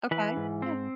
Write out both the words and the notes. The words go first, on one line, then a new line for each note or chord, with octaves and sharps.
Okay, yeah.
E3 B4
G#2
C4